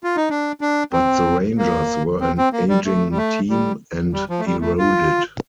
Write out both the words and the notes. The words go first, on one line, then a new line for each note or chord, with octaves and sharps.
But the Rangers were an aging team, and eroded.
F4
D#4
D4
D4
C4
A#3
C4
C4
A#3
G3
A3
G3
A3
G3
G3
F3
A3
G3
A3
F4